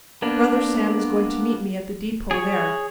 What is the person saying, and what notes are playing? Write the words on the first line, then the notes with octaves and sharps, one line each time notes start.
Brother Sam is going to meet me at the depot there.
A#3 B3 D4
G#4 C#5